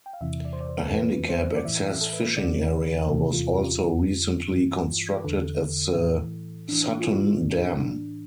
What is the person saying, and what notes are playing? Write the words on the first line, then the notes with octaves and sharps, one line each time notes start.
A handicap-access fishing area was also recently constructed at the Sutton Dam.
G5
F5
E2 C3 E3 E5
D5
C5
D5
C5
A4
F2 E3 B4
C5
D5
A2 E3 E5
E5
A4
B4
E2 D3 D5
B4
E2 C3 E3 A4
F4
F4
F2 D3
G2 E3
B4
E2 D3 A4
A2 E3
A2 E3 D4
F4
E4
E4
A2 E3 D4
D4